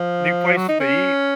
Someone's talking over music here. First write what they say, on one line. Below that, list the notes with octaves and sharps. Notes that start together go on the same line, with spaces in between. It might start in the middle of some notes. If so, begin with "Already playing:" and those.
New places to eat,
Already playing: F3
F#3
D#4
C#4